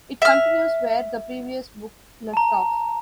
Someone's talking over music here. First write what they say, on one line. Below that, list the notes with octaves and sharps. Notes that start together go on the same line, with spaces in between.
It continues where the previous book left off.
E5 F6
A5 A#5